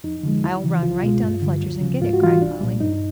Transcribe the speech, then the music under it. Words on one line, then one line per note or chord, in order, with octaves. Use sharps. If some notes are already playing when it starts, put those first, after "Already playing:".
"I'll run right down to Fletcher's and get it," cried Polly.
F2 D#4
D3 F3 G#3
D#2 E4
C#3 E3
C#2 F4
B2 G#3
G2
D3 G3
D2
C#3 F3
G#2 F4
F#4
E3 G3 F4
C2 D4
A#2 G3
G2 D#4